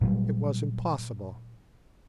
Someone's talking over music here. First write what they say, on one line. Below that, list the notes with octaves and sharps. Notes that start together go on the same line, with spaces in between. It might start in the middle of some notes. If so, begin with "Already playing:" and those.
It was impossible.
A#2 F#3 G3